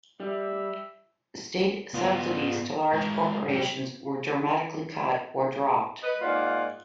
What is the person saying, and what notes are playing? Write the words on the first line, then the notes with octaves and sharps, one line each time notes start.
State subsidies to large corporations were dramatically cut or dropped.
G3 E5
B3 F4
G#3 A#4
F#3 G4
B4 D#5
G#2 A#3 F4 D5 F#5